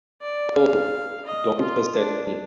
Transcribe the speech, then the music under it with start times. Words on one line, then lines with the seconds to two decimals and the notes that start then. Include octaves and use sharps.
Oh, don't fuss at me!
0.21 D5
0.56 F5
1.25 D#5
1.60 F4
1.96 D4